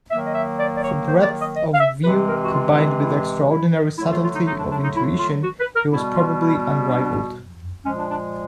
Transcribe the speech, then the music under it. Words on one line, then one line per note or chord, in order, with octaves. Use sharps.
For breadth of view, combined with extraordinary subtlety of intuition, he was probably unrivalled.
D#3 F#3 A#3 E5
D#5
E5
D5
D5
C#5
C5
D5
D#5
D#5
F5
E5
C3 E3 G#3 C4 B4
A#4
F#4
F4
E4
E4
E4
D3 F#3 A3 E4
F4
F4
D#4
D#4
D4
D4
D#4
E4
F4
F#4
B4
A#4
B2 G3 B3 E4
F4
E4
D4
A#2 F3 G#3 C#4
D4
D4